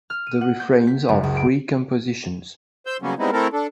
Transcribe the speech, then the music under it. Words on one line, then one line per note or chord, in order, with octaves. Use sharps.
The refrains are free compositions.
F6
D#7
F#5
G6
B6
F#1
C#2
D7
C5 E6 G6
C#3 F#3 G3 A#3 B3 C#4
G3 G#3 B3 C4 D#4 E4
A3 C4 E4 A4 A#4
D4 A4